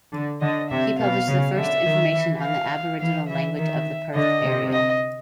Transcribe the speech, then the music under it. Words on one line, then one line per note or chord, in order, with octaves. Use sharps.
He published the first information on the Aboriginal language of the Perth area.
D3
D3 D#5
C3 E5
B2 F5
C#3
D3 E5
D#3
E3
F5
E3 F5
E3 E5
D#3 E5
D3 D#5
C3
D#5